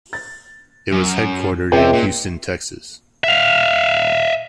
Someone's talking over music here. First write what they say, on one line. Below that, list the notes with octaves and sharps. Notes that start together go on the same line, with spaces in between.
It was headquartered in Houston, Texas.
A6
F#2
C#2 C3 E5 G5
A#2
E5 F5